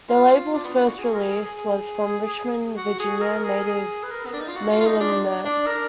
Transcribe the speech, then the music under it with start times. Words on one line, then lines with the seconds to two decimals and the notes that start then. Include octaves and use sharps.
The label's first release was from Richmond, Virginia natives Main and Merc.
0.09 F4
0.54 D4
0.64 B3
0.76 F4
0.87 F#4
0.99 G#4
1.14 A#4
1.21 G#4
1.43 G#4
2.77 F#4
3.00 G#4
3.17 G#4
3.21 A#4
3.44 G#4
3.66 G#4
4.03 B4
4.12 A#4
4.26 B3
4.33 D4
4.41 D#4
4.48 F4
4.56 F#4
4.70 F4
4.81 F4
4.86 D#4
5.00 D4
5.45 D4
5.67 A#4